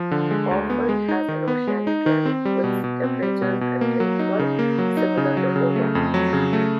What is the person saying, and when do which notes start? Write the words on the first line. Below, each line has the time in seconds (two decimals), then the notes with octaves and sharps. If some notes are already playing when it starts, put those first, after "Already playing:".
Orford has an oceanic climate, with temperatures and rainfall similar to Hobart.
Already playing: F3
0.11 D3
0.31 G#3
0.51 D2
0.70 B3
0.89 G#3
1.09 D#4
1.28 D#3
1.48 B3
1.67 G#3
1.87 D#4
2.06 D#3
2.26 C4
2.45 G3
2.64 B2
2.84 B2
3.04 C4
3.22 G3
3.42 B2
3.61 B2
3.81 A#3
4.00 F#3
4.19 D#4
4.39 C#3
4.59 A#3
4.79 F#3
4.97 D#4
5.17 C#3
5.37 F#3
5.56 C#3
5.76 A3
5.95 F2
6.14 F#3
6.33 C#3
6.53 A3